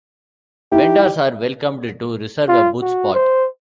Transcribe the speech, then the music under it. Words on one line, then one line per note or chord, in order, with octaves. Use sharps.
Vendors are welcomed to reserve a booth spot.
D#4 E4 G4
F4
F#4
C5